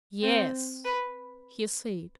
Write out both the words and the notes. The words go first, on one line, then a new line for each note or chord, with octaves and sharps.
"Yes," he said.
C4
B4